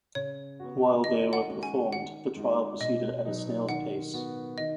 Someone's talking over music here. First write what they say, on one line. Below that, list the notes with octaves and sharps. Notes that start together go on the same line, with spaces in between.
While they were performed, the trial proceeded at a snail's pace.
C#3 C#5
B3 F#4
D#3 D#5
F#5
G#3 C#4 F#4
G#5
D#3 F#5
G#3 D#4 F#4
B2 D#5
F#3 B3 D#4
D#3 F#5
B3 F#4
D#3 D#5